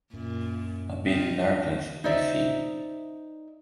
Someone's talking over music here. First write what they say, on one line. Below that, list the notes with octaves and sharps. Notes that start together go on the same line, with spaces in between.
A bit nervous, you see.
F#2 A#2
C4 D#4 F4
D#4 C5 D5 E5